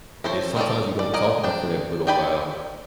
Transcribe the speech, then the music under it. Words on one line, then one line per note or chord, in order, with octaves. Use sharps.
and then sometimes you don't talk to 'em for that little while,
E4 A4 C5 C#5
G#3 C#4 D#4 A4 D5
D5
A#4 D5 D#5 G#5
C4 D4 G5
D4 D5 G5 G#5 B5